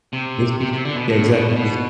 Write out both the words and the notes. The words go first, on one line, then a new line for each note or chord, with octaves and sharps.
this is Yeah, exactly, 'cause
C3
C3
C3
D3
B2
A2
B2
A2
B2